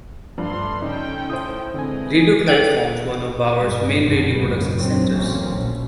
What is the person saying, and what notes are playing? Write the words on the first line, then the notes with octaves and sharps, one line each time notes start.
Radio Clyde forms one of Bauer's main radio production centres.
G2 F3 A3 C6
C#3 C#4 D#4 A4 G5
A2 C5 D#6
D3 E3 G#3 C4 D#5 G#5
G#4 A4 B4 G5 A6 D7
G2 A#2 G#3
C2 F#2 B2 D3 D#3
F#1 B1 G#2 C#3 B3
A#1 F2 A#2 F#3 C4
A1 D2 F#3 A#3 C4 C#4
A#1 B2